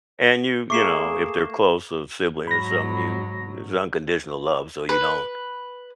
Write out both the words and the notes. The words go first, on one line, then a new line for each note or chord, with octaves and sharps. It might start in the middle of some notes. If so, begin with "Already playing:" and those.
and you you know, if they're close, a sibling or something, you there's unconditional love, so you don't
A3 A#3 G#4 C#6 D6 C7 E7
G#2 F#3 B5 A#6
B4